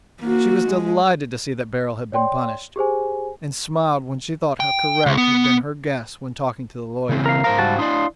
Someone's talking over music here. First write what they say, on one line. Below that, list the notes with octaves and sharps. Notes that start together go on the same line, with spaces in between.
She was delighted to see that Beryl had been punished, and smiled when she thought how correct had been her guess when talking to the lawyer.
A#3 F#4
G#3
C#5 D5 G5 C6
G4 G#4 C5 G#5
G5
C#2
B3
C#3 E3 C4
A#4 F5
G#2 A#4 C5 F5
G3 F#4 A5
D4 E4 D5 F5 C6 D#6